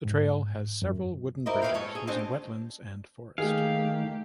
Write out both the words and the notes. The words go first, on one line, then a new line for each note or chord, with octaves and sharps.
The trail has several wooden bridges using wetlands and forest.
G#2
F#2
C4 E4 A#4 D5 D#5
G4 B4 C#5 D5 F5 G5
G#3 A4 C#5
G#4
G#3 C4 D4 D#4 G4
D#3 A3 A#3 G4 G#4 F5